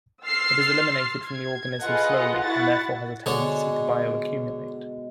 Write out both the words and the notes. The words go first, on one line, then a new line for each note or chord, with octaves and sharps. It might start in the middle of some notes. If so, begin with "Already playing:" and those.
It is eliminated from the organism slowly, and therefore has a tendency to bioaccumulate.
C6 E6 F6 A6 C7
G#6
F4 G#4 A4 B4 D#5 F#5
E4 F#4 F#5 A6
B2 D3 G#3 D4 C#5